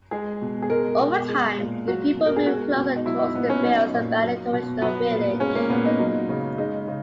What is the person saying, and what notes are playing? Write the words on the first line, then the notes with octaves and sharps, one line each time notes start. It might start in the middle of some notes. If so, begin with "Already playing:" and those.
Over time, the people moved closer towards the fields, abandoning the original village.
G#3 G#4
B2
G#4
G#3 A#4
B2
G#3
A#2
F#3 F#4
B2
A#4
G#4
G#3 F#4
B2
D#4
F#3 E4
D#4
A#2 B3
C#4
F#3 D#4
A#2
F#3
B2
F#3 B3
A#2
G#3 C#4
A#3
A#2 B3
D#4
F#3
C#3
G#3 D#4
C#3